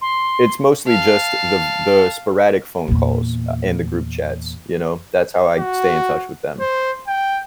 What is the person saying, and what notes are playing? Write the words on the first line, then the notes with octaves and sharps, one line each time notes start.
it's mostly just the v the sporadic phone calls, uh, and the group chats, you know, that's how I stay in touch with them.
C6
F5 A5
E2 A#2
F#4
C5
G5